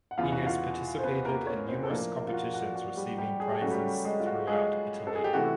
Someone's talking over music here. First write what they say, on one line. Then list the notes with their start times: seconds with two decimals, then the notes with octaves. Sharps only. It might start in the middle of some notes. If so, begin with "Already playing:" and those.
He has participated in numerous competitions receiving prizes throughout Italy.
0.11 F#5
0.18 E2 C#3 E3 F4 F5
0.32 F#4 F#5
0.46 F4 F5
0.99 C5
1.03 B3 B4
1.25 A#3 A#4
1.46 C#4 C#5
1.68 C4 C5
1.83 A4
1.89 A2 F3 A#3 D4 A#4
2.28 F4
2.33 F#4
2.54 F#4
2.76 F#4
2.97 G3 G4
3.18 G3 G4
3.40 G#4
3.50 G4
3.61 C#3 F#3 A3 C#4 F#4
3.71 G3 G4
4.04 G#3 G#4
4.20 F4
4.26 F#4
4.47 G#3 G#4
5.07 A4
5.16 G#4
5.24 G4
5.33 C3 E3 A3 F#4